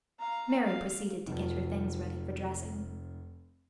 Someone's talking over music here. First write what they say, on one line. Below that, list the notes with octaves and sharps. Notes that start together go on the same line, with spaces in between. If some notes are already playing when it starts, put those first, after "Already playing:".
Mary proceeded to get her things ready for dressing.
F5 A#5
F5
F1 F3